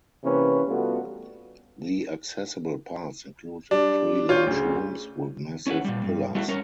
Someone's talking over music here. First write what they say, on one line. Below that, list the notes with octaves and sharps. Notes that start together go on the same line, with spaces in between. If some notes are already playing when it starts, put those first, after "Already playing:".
The accessible parts include three large rooms with massive pillars.
C3 E3 A#3 C#4 B4
G3 A3 B3 F4 F#4 A4
G3 D4
F4 C#5 G6
D2 C#3
C#4 E4 B4 F#5
A#2 G3
G2
G3 A3 A#3 E4 F#4
G3 C#4 A#4 C#5